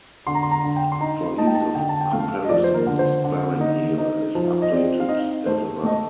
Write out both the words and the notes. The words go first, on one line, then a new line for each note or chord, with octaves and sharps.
For ease of comparison the spelling here is updated as above.
D3 C6
A#5
C6
A#5
D3
G5
C6
D#4 A#5
D#4 A5
G5
A5
D3 G5
A5
G5
A3 F5
D#5
F3 D5
C5
A#4
D3
C5
D3
D#4
D#4
F3
D#5
C4 D5
F5
D#4 D#5
A3 C5
A3 D#5